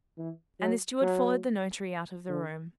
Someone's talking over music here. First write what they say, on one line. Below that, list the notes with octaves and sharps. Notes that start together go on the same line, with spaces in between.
And the steward followed the notary out of the room.
E3
F#3
F#3
D3